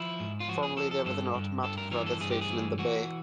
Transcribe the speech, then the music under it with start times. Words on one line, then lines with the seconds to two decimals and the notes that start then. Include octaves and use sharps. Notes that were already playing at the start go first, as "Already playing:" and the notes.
Formerly there was an automatic weather station in the bay.
Already playing: F3 E4
0.20 G#2
0.40 F4
0.48 F3 F#4
0.63 G#4
0.77 F3 A4
0.91 A4
1.06 G2 A4
1.35 G2
1.63 G2 A4
1.78 A#4
1.92 E3 A#4
2.06 A4
2.21 G2 G#4
2.31 G4
2.41 G#4
2.49 E3
2.78 E3 F#4